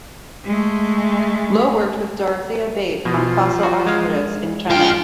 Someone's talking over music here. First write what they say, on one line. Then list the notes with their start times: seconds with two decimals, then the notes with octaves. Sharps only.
Lowe worked with Dorothea Bate on fossil ostriches in China.
0.45 G#3 A3
3.05 B2 F3
3.63 F#4
3.86 G#3 F5
4.70 F2 F4 G5